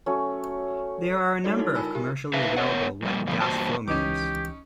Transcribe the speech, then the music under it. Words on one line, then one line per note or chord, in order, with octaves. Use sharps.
There are a number of commercially available wet gas flow meters.
F#3 A3 C#4
G3 D#4 F#4 A4 C#5 D5
D#4 E4 F#4
F4 A#4 G#5 A5 B5 E6
G4 A#4
D#4 B4 E5 F5
B3 A#4 B4 C#5 F#5
F2 A#2 G3 A#3
G2 D3 F3 A3 B3
E2 G2 A#3 F#4 C5 A5
C#2 E3 C#4 D#4 G4 D6